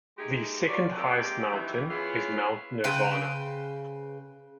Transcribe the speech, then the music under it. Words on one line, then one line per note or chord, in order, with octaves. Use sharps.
The second highest mountain is Mount Nirvana.
G#3 A3 D#4 G4 G#4
F#3 F4 C#5 D5
D#3 G#3 A#3 C4 G4
D#3 E3
B3 C#4 E4 F4 G#4
C#3 B4 C5 G5